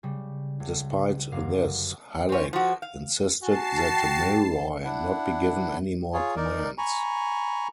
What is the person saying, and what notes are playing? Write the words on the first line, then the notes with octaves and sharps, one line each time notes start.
Despite this, Halleck insisted that Milroy not be given any more commands.
C#3 G3
C#2
G1 F#2 F5 D6
C4 C#4
F3 F#4
F5
F#4 G#5 A5 C7
G5
D4 E4 F#5
F4 G#4 C#5
D#4 A#4 D5
G#5 A#5 B5 C#6